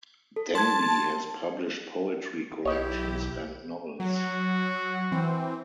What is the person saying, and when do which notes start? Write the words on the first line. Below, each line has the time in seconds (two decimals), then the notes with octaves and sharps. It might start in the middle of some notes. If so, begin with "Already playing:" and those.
Denby has published poetry collections and novels.
0.36 A4
0.55 A5 C6 G#6
2.65 B1 E4 G4 C#5 D#5
4.00 F#3 F#4
5.12 E3 C4